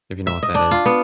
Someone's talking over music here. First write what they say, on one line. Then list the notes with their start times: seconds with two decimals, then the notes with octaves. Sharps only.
if you know what that is.
0.27 E5
0.43 D#5
0.55 D4
0.71 F4
0.86 B3